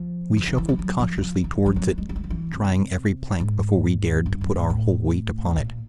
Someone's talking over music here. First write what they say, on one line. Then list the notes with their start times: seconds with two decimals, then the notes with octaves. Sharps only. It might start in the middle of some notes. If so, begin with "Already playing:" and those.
We shuffled cautiously towards it, trying every plank before we dared to put our whole weight upon it.
Already playing: F3
0.37 D3
0.47 D#3
0.58 E3
0.69 F3
0.79 F#3
1.00 F3
1.18 E3
1.22 F3
1.44 E3
1.66 F3
1.76 F#3
1.98 G#3
2.09 G3
2.16 G#3
2.24 G3
2.30 E3
2.52 C3
3.40 G#2
4.26 G2
4.41 F#2
4.56 G#2
4.70 A2
5.57 A#2